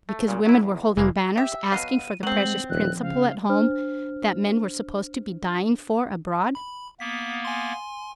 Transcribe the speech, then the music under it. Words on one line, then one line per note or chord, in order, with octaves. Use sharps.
Because women were holding banners asking for the precious principle at home that men were supposed to be dying for abroad.
A3
A#2 C#3
F#3 E4
E2
F1 E3 G#3 A#3
G4 E5 E6
B2 F#3 F5 D#7
F#3 G#3 C4 F#7
D#1 F3 F#6
C#3 F5
D4 C5 F6
B5
A#3 B3 B6
G#5 C6